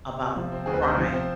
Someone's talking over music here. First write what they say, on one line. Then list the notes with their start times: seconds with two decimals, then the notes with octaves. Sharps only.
about crying,
0.21 C3
0.36 F3
0.52 C4
0.66 D2 G#4
0.73 B4
0.82 C3 C5
0.98 F3
1.13 C4